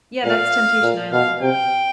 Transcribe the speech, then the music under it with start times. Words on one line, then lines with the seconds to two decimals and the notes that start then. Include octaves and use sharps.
Yeah, that's Temptation Island.
0.25 A#2 F5
0.83 A#2
1.12 B2 F5
1.41 C3 G5